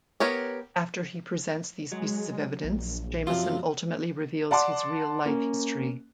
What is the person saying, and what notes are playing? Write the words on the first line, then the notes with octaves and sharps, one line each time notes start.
After he presents these pieces of evidence, Jameson ultimately reveals his real life history.
B3 G4 A#4 C#5
F#3 G#3
A#1
F#2 C3 F3 F4
D5 F#5 A5 C6 D6
A#3 C#4